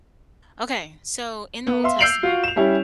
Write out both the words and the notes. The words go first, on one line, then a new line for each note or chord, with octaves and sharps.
Okay, so, in the Old Testament,
B3
E5 F5 C6
E6 G6 C7 D7 F7 F#7
F4 F#4
E7 F7
G3 C#4 E4 G4